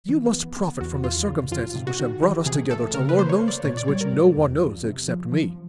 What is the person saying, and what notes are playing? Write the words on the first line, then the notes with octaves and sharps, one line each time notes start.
You must profit from the circumstances which have brought us together to learn those things which no one knows except me.
E3
B3
B3
E2 F#4
E2 F4
C#3
F2 F4
C3
F#4
D#3
E3 G4
C3 G#4
A3 A4
C#3 A#4
B4
A#3 C5
C#5
A#3
D5
A#2 C#5
D5
G3 C#5
A#4
A#2
E2
F3
C3
F3
F3